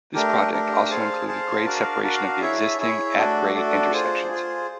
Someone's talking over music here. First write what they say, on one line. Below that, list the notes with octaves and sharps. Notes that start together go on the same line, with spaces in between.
This project also included grade separation of the existing at-grade intersections.
A3 D4 G4 A#4
A3 D4 G4 A#4
G#4 C5 F5 A5
G#4 C5 F5 A5
D4 F#4 A#4 D5 F5
D4 F#4 A#4 D5 F5
E4 G#4 C#5 E5
E4 G#4 C#5 E5
A3 D4 F#4 A4 D5
A3 D4 F#4 A4 D5
F4 G#4 C5
F4 G#4 C5